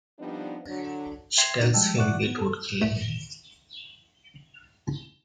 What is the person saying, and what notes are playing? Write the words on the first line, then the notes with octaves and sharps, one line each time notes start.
She tells him it would kill him.
F3 G3 B3 C4 D4 D#4
D3 F#3 D4
E5 G5 C6 G#6 C7
C#4 D#4 F#4 D5 D#5
F3 G3 G#3 G5 A5 E6
D5 E5 F#5 C#6 D6 F#6
B3
A4
C2 A3